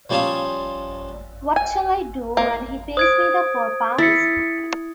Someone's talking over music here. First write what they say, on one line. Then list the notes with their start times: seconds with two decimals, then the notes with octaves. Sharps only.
What shall I do when he pays me the four pounds?
0.10 F3 G3 C#4 F5 A5 D#6
1.56 G#5
2.37 A#3
2.97 C5 D#6 G#6 D7
3.98 E4 A6 B6 C#7